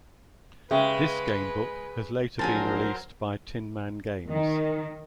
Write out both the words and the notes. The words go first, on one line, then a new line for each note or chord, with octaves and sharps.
This gamebook has later been released by Tin Man Games.
C#3 G#3 B4 E5 G5
A#1 F#3 A#4 C5 G#5 A5
D#3